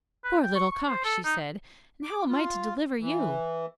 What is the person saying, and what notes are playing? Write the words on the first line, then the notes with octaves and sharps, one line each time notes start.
'Poor little cock!' she said, 'and how am I to deliver you?'
B4
G5
C#6
C#6
C5
A4
D#4
D6
F4
E3